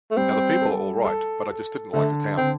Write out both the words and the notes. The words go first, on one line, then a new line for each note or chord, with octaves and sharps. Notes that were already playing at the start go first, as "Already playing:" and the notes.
Now the people are all right, but I just didn't like the town.
A3
G3 C4
A4
A4
A4
D3 A3
D3 C4